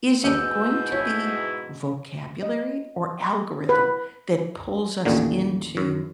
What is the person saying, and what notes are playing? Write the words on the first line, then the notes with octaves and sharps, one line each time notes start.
Is it going to be vocabulary or algorithm that pulls us into
D#2 G#2 B2 D4 E6 G6
E4 C#5
D#5
B4
A1 D#2 A#2 D3
F#2